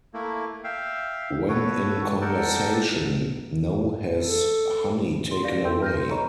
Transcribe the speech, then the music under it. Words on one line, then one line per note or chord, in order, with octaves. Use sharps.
When in conversation, No has Honey taken away.
A3 A#3 E4
E5 F5 G5
F#4 A4 B4 C#5
A4 A#4 D5 F#5 G5 A5
A4
C6
G4 D5 F5 A#6
A4 G5 C6 E6 G6
F6 G6 A#6
C6
B4 C#5 D#5 A#5 B5 C#6